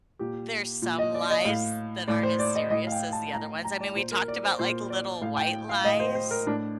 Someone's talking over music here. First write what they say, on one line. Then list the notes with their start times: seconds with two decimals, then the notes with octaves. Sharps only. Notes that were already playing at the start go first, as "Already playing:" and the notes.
there's some lies that aren't as serious as the other ones? I mean, we talked about, like, little white lies.
0.19 A#2 G4
0.82 A#2
0.99 D#5
1.14 D5
1.30 D#5
1.45 A2 F5
2.08 A2 D5
2.23 C5
2.39 D5
2.55 D#5
2.70 A2 D#5
2.87 F5
2.92 G5
3.13 A5
3.33 A2 A#5
3.64 A#5
3.81 D5
3.96 A#2 C5
4.11 A#4
4.28 D5
4.44 C5
4.59 A#2 C5
4.90 D5
5.21 A2 F5
5.37 G5
5.69 F5
5.84 A2 D#5
6.00 C5
6.15 C5
6.31 A#4
6.47 A2 D4